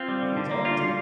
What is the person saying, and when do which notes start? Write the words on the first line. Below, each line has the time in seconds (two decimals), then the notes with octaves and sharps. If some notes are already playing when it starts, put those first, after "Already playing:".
cool talking to you.
Already playing: C4 F4
0.08 G3
0.22 D3
0.37 D3
0.51 A#3
0.65 G3 F4
0.80 D3